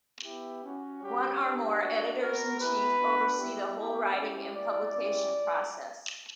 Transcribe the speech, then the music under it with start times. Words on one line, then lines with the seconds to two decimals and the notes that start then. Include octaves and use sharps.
One or more Editors-in-Chief oversee the whole writing and publication process.
0.25 B3 E4 G4
0.64 C#4 F#4
1.03 G3 C#4 F#4 G4
1.42 A#3 D4 G4
1.81 A#3 D4 F#4
2.20 B3 F#4 A#4
2.60 B3 E4 G4 B4
2.99 B3 D4 F#4
3.39 G3 B3 E4 G4
3.77 B3 E4 G4
4.16 C#4 E4 G4
4.55 A#3 E4 G4 D5
4.94 C#4 E4 G4 D5